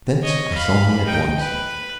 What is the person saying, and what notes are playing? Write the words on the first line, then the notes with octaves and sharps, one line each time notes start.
Thence I saw him at once.
C#5 D#5
F5 B5
D#4 G5
B4